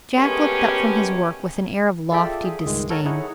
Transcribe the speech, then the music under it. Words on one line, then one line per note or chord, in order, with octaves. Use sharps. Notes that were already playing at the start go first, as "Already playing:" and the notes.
Jack looked up from his work with an air of lofty disdain.
G#3 A3 B3 C#4 G4 A#4
F4 G#4 A4 D5 E5 G5
G#4
C#2 G2 D#3 G#3
A4 A#4 C#5 F#5 A5 A#5
D#4 E4 G#4 C#5 F#5